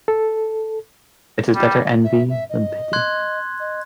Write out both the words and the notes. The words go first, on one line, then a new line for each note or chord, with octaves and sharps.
It is better envy than pity.
A4
G3
E5
E5
D#5
C6 F#6 G#6
D#5